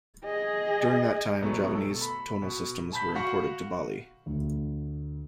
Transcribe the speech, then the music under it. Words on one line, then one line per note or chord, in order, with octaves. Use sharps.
During that time, Javanese tonal systems were imported to Bali.
G#4 D#5
B2 F#3 A3 B3
A4
B5
B2
G#5 A5 B5 G6 B6
F#4 F5 F#5 C#6
D2